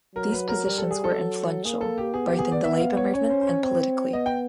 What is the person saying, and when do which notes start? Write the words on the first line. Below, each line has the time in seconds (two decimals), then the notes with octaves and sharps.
These positions were influential both in the labour movement and politically.
0.15 F#3 A#4
0.32 B4
0.48 A#4
0.65 G3 A#4
0.78 A4
0.91 G#4
1.04 A4
1.15 F#3
1.65 A#3 G#4
1.81 A4
1.98 G4
2.14 B3 G#4
2.27 G4
2.39 G#4
2.52 D5
2.64 B3 E5
2.80 F5
2.97 C#5
3.14 C#4 C#5
3.30 C5
3.41 C5
3.47 C#5
3.63 C4
4.13 B3 D#5
4.26 G5